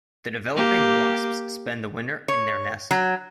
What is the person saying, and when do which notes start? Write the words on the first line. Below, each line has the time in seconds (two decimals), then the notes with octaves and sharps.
The developing wasps spend the winter in their nest.
0.56 A#3 G4
2.28 C#5
2.91 F#3